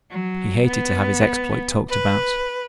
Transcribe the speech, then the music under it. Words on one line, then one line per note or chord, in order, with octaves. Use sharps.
He hated to have his exploit talked about.
F#3
B3
B4